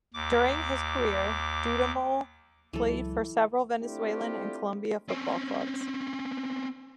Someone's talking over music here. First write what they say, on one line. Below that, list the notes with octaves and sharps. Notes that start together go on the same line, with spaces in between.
During his career, Dudamel played for several Venezuelan and Colombian football clubs.
D#2 D6
C#2 E3 F#3 G#3 A4
A3 C4 D4 E4 F4 G4
C4 C#4